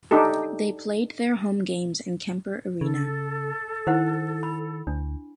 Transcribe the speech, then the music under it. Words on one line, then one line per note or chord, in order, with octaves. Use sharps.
They played their home games in Kemper Arena.
D4 D#4 G4 A4
C#3 A4
D#3 E4 C5 F#5
B5
D2 D4